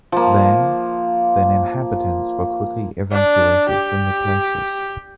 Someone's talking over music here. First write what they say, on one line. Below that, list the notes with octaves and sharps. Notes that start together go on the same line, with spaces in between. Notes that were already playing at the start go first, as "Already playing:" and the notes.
Then, then inhabitants were quickly evacuated from the places.
F3 A#3
D4
G4